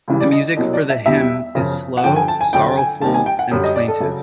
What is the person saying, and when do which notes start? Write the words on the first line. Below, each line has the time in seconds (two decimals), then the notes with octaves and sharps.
The music for the hymn is slow, sorrowful and plaintive.
0.08 C#2 C#3 E3 G3
0.21 D5
0.32 D#5
0.57 C2 B2 F#3 D#5
0.73 D5
0.90 E5
1.06 E2 B2 G3 E5
1.55 F#2 C#3 F3
1.97 F#5
2.04 G2 D3 F3 G5
2.16 G#5
2.28 A5
2.41 G#5
2.53 F2 D3 F#3 G5
2.77 G#5
3.02 D#2 D#3 G3 A5
3.14 G#5
3.26 G5
3.39 F#5
3.51 F#2 D3 G3
3.64 D#5
3.76 D5
3.88 A4
4.00 C#3 F#3